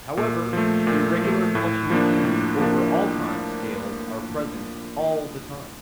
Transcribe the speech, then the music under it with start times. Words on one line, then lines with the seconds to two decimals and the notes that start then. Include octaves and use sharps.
However, irregular fluctuations over all time scales are present all the time.
0.17 A#2
0.53 F3 A3
0.87 A#2
1.21 F3 A3
1.55 A2
1.90 F3 A#3 D4
2.24 A2
2.58 F3 A#3 D4